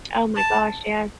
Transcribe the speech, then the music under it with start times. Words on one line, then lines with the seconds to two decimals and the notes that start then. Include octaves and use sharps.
Oh, my gosh, yeah.
0.36 A5